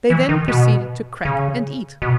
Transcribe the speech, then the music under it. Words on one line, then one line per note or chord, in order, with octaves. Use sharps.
They then proceeded to crack and eat.
E3
D#3
B2
C#3
B2